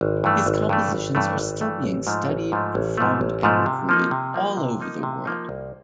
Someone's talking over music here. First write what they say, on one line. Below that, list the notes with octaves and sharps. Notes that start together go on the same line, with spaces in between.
His compositions are still being studied, performed and recorded all over the world.
G#1
G2 E3 A3
G#1
G2 E3 A3
G#1
G2 E3 A3
G#1
G2 E3 A3
A1
G#2 F3 A3
A1
G#2 F3 A3
A1
G#2 F3 A3
A1
G#2 F3 A3
C3
F3 A#3 D#4
C3
F3 A#3 D#4
C3
F3 A#3 D#4
C3
F3 A#3 D#4
C2